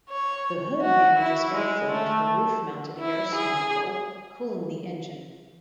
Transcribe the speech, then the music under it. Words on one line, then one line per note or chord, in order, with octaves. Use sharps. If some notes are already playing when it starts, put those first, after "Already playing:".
The hood manages airflow into the roof mounted air snorkel cooling the engine.
C#5
F#4
E4
G#3
A3
E4
G#4